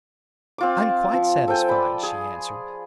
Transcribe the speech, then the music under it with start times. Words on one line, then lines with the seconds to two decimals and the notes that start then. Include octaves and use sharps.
"I'm quite satisfied," she answered.
0.58 C4 F4 D6
1.13 F3
1.48 A4 C5 G5 G#5
1.69 D5 B5
2.03 G#4